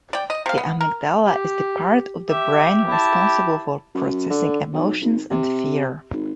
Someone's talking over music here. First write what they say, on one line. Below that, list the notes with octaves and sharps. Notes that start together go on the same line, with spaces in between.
The amygdala is the part of the brain responsible for processing emotions and fear.
D5 G5
D#5
C3 F5
B3
A#4
G4
G4 E5
E4 A5
F#2
D3
B1
G#1
C3
G#1